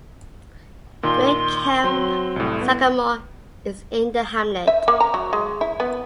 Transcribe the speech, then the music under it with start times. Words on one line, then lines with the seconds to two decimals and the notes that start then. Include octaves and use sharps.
Great Camp Sagamore is in the hamlet.
1.03 A#2 D#3 C6
1.84 F#3 C4
2.36 C2 A2
2.61 B3
4.67 E5
4.88 A#3
5.00 A#5
5.14 F#3
5.33 G#3
5.61 E4
5.80 B3